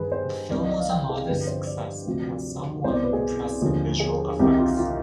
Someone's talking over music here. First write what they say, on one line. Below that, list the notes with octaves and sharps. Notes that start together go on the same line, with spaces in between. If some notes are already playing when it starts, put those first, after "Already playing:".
The film was a modest success and has somewhat impressive visual effects.
Already playing: G2 D#3 G#4 B4
C5
C2 C3 D#3 D5
D#5
D5
F5
G5
G#4
G2 D3 F3 B4
C5
D5
D2 C3 F3
C2 B2 C5
D5
B4
G#4
D#2 D3 F3
G#4
C2 C3 D#3 G4
F4
F4